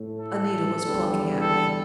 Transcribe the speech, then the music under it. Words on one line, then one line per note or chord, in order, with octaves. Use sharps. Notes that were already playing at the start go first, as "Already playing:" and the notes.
Anita was plucking at me.
Already playing: A2 A3
A4
E2 D3 G3
A4